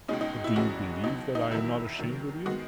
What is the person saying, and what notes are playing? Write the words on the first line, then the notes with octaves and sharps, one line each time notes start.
"But do you believe that I am not ashamed with you?"
C#2 B2 G#3 C#4 D#4
D#4
E4
E2 C#3 E3 G#3 C#4 F#4
C#2 B2 F#3 D#4
D#4
E2 D#3 F#3 E4
D#2 D#3 F#3
D#3 G#3 B3 F#4